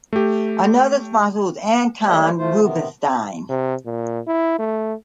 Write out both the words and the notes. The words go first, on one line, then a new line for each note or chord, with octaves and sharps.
Another sponsor was Anton Rubinstein.
A3 G4
G3 A3 A#3 G4 C#5
F3 A3 F4 C5
C3 D#3 B3
C3
A#2
E4
A3